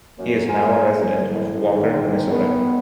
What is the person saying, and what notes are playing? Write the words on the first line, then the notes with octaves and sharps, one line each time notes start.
He is now a resident of Walker, Minnesota.
F#2 A#3
A#4 C5 G#5
A2
G#2 D3 D#3
D#3 G#3 A3 B3